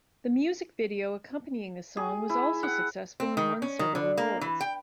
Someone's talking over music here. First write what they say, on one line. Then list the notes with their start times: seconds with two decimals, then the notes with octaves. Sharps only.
The music video accompanying the song was also successful and won several awards.
1.97 G#4
2.29 E4
2.63 F#5
3.20 C4
3.37 D#3
3.62 C#4
3.79 D#3
3.95 D3
4.17 A#3
4.41 E3
4.61 G5